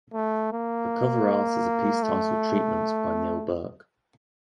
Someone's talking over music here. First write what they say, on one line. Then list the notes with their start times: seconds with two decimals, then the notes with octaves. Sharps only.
The cover art is a piece titled "Treatment" by Neil Burke.
0.14 A3
0.53 A#3
2.03 A3